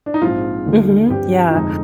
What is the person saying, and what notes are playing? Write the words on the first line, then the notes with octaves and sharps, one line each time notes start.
Mhm. Yeah.
D4
D#4
A#1 G#2 F3 C4 F4
D#2 D3 G#3
G2 F3 C4 G4
F4
F1 F2 D3 G#3 D#4